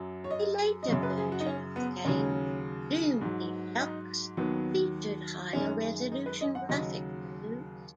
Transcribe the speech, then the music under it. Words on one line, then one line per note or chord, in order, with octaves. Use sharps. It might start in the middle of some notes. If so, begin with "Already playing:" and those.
A later version of the game, "Gloom Deluxe", featured higher resolution graphic modes.
Already playing: F#2 F#3
C#5
D#5
D#5
F#2 C#3 F#3 C#5
B4
G#4
F#4
D#4
C#4
B3
D#2 C#3 F#3 C#4
G#2 F#3
D#4
D#2 D#3 F#3 B3
F#2 D#3 G#3 C#4
D#4
B4
D#5
F#5
D#2 C#3 F#3 D#5